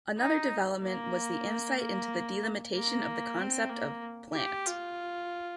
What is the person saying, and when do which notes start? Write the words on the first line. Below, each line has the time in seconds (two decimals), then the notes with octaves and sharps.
Another development was the insight into the delimitation of the concept of 'plant'.
0.18 D#4
0.82 A#3
1.78 A#3
2.74 A#3
3.39 C4
3.70 A#3
4.34 G4
4.67 F4